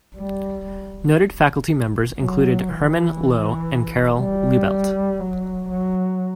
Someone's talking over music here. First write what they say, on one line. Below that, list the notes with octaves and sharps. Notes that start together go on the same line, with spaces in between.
Noted faculty members included Hermann Loew and Karol Libelt.
G3
F#3
E3
G3
F#3
F#3